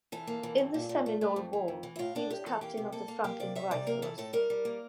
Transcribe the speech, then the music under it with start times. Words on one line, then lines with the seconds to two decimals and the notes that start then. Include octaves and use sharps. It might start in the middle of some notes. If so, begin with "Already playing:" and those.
In the Seminole War, he was captain of the Franklin Rifles.
0.12 E3 A4
0.27 A#3
0.43 E3
0.58 G2
0.74 A#2
0.89 A#2
1.06 A3
1.21 A3
1.36 F2
1.53 E3
1.68 F2
1.83 E3
1.96 E4
1.99 A2 F4
2.15 A2 D4
2.30 A2 G4
2.46 E3 A4
2.61 A#3 G4
2.77 C3
2.92 A#3 A4
3.08 A#3
3.24 A#3 G4
3.40 C3 D5
3.55 G3 E5
3.71 C3 D5
3.87 A#3 A#4
4.02 E3 A4
4.18 A2 A4
4.33 G3 A#4
4.50 G3
4.65 A#3